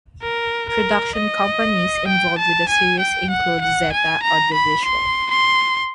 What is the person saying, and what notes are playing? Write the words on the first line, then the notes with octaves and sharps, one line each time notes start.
Production companies involved with the series include Zeta Audiovisual.
A#4
A#4
D#5
G5
A5
G#5
G5
F#5
F#5
G#5
A#5
B5
C6
C6